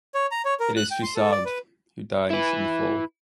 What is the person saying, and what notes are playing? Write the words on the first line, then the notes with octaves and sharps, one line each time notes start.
It is Foussard, who dies in the fall.
C#5
A#5
C#5
A#4
F#6
G5
C6
A4
D5
B4
E4 B4